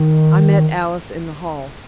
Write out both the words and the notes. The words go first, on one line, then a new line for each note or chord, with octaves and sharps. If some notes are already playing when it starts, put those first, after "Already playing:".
I met Alice in the hall.
Already playing: D#3